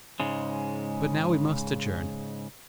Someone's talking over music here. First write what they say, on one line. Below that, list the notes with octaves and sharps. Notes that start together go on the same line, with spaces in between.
But now we must adjourn.
G#2 C#3 G#3